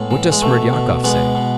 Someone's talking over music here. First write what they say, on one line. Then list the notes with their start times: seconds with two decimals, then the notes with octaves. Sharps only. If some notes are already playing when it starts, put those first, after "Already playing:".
What does Smerdyakov say?
Already playing: A2 G#3 B3
0.11 E3
0.32 G#3
0.42 B2 A3
0.73 B2
1.04 B2 G#3 B3
1.35 B2